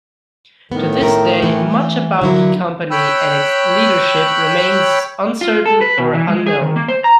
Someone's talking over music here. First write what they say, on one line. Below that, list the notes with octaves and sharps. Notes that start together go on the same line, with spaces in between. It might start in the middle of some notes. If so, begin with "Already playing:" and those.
To this day, much about the company and its leadership remains uncertain or unknown.
A2 D#3 B3
A3 A#4
E3 A3
D3 F#3 A#3 E4
C#5 G5 B5 E6 F#6
F4
A4
B4
B2
E3
G#3
G#4
D#3
A#3
C5
A#5